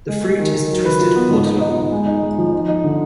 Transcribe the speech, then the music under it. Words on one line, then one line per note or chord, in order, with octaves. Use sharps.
The fruit is a twisted pod long.
G#3
G#3
D#3
D#3
F#3
B4
F4
B3
G#2
D#4
D#4
D#4
G#3
D#4
G#3
F3
D#4
D#4
D3